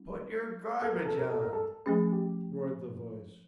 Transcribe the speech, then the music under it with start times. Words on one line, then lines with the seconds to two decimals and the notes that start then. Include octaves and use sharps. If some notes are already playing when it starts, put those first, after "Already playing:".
"Put your garbage on!" roared the voice.
Already playing: G3 C4 D#4
0.82 A4
0.94 A#4
1.05 A4
1.18 A#4
1.30 A4
1.41 A#4
1.53 A4
1.86 F3 A3 C#4 G#4
2.12 G4